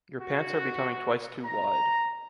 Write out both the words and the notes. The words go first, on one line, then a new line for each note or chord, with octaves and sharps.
Your pants are becoming twice to wide.
F#4
A#5